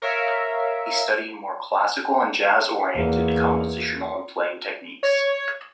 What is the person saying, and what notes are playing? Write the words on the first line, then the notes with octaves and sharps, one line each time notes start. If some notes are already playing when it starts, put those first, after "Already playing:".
He studied more classical and jazz-oriented compositional and playing techniques.
A#4 C#5 E5 F5
E2 A#3
C#5